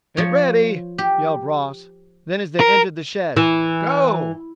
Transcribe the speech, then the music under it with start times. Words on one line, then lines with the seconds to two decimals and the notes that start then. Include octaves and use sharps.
"Get ready," yelled Ross; then, as they entered the shed, "Go!"
0.17 F3 C#5
0.98 G4
2.60 A#4
3.36 E3